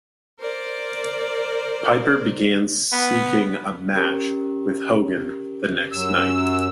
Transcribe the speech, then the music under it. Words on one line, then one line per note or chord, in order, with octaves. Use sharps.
Piper began seeking a match with Hogan the next night.
A#4 C5 D5
B3
C#4 G4 A#4
F#2 E6